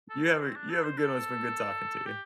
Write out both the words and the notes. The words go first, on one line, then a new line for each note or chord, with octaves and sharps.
you have a you have a good one, it's been good talking to you.
A4
A4
C4
D4
A4
C5
A4
G4